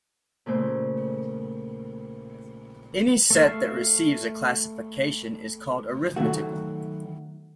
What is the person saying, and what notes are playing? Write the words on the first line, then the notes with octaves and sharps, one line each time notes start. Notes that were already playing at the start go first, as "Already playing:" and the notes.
Any set that receives a classification is called arithmetical.
A#2 C#3 A3 C5
A3 E5 F5
D#3 F#3 A3 F#4